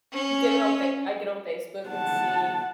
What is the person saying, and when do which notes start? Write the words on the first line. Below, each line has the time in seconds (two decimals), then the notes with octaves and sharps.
Get it on Fa I get on Facebook and see,
0.13 C#4
1.87 F#5 A5